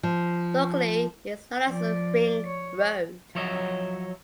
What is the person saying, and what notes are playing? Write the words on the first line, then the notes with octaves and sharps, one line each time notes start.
Locally, it is known as Ring Road.
F3
F3 D5
C#5
F3 F#3 C#5 D#5 E5